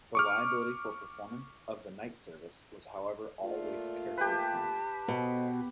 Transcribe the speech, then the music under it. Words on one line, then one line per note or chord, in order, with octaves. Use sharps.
The liability for performance of the knight-service was however always carefully defined.
C#6 D6 F6
A3 A#3 F4 D5
G4 B4 A5
B2 A4 C5 D#5